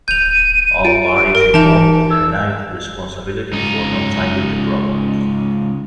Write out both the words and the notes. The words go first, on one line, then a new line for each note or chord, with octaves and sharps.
All parties involved denied responsibility for not finding the problem.
G6 D#7 F7
F4 D7
A#4
E3 D#4 E5 A5 F7
E6
C#2 D#4